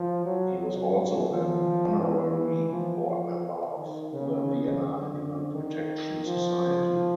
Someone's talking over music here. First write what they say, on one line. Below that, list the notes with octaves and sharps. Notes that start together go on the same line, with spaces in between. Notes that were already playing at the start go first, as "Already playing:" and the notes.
He was also an honorary board member of the Vienna Animal Protection Society.
Already playing: F3
F#3
F#3
F3
E3
F3
F3
D#3
C#3
D3
D#3
F3